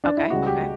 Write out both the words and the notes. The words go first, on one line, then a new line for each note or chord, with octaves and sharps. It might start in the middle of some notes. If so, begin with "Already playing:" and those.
Okay, okay.
D4
E4
C#2 C#3 G3 F#4
G4
G3